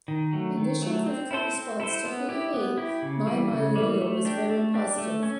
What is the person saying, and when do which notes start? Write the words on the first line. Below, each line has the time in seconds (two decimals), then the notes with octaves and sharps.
Initial critical response to "Hey Hey My My Yo Yo" was very positive.
0.08 D#3
0.33 F#3 A3
0.57 D#3
0.82 F#3 A3
1.06 C4
1.31 E4 A4 C5
1.55 C4
1.80 E4 A4 C5
2.05 B3
2.29 E4 G4
2.54 B3
2.78 E4 G4
3.02 C#3
3.27 E3 G3
3.51 C#3
3.76 E3 G3
4.01 A3
4.25 D4 G4
4.50 A3
4.74 D4 G4
4.98 A3
5.23 C#4